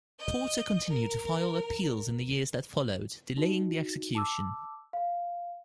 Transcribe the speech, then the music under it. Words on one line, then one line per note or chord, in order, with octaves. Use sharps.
Porter continued to file appeals in the years that followed, delaying the execution.
D#5 G6
A#4
D#4 F#4
A5 D6 E6
F5